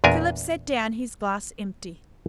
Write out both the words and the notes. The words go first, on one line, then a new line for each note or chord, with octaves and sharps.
Philip set down his glass empty.
E2 A#2 D4 A#4 G#5